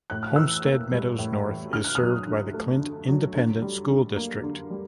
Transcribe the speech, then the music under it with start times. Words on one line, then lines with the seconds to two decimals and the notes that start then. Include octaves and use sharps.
Homestead Meadows North is served by the Clint Independent School District.
0.10 A2 F#6
0.23 F6
0.36 E3 E6 F#6
0.65 A#3
0.91 G3
1.19 A2
1.45 E3
1.73 D3 F6
1.84 F#6
1.95 D#6 F6
2.00 F#3
2.27 D3
2.54 A3
2.81 D3
3.08 F#3
3.36 D3
3.62 G3
3.89 D3
4.16 A#3
4.43 D3
4.71 G3